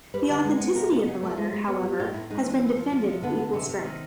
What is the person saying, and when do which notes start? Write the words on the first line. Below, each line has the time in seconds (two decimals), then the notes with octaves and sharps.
The authenticity of the letter, however, has been defended with equal strength.
0.14 G3 B4
0.30 D3
0.45 G#3
0.60 B3
0.75 C3 A#4
0.91 B3
1.07 C#3
1.23 A3
1.37 G#3
1.53 G#3
1.68 B3
1.83 G3
1.99 A2 F4
2.14 A2 E4
2.30 G#3 D#4
2.45 E3 D4
2.61 C#3 C4
2.77 F3
2.92 F3
3.07 C3
3.23 D3 B3
3.38 D3
3.54 C3
3.69 C3
3.84 D#3 C4